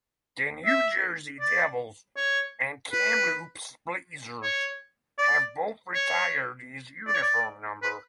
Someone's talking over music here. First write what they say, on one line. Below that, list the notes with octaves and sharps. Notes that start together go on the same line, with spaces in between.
The New Jersey Devils and Kamloops Blazers have both retired his uniform number.
E5
D5
C#5
B4
C#5
D5
C#5
D5
C#5
D5
B4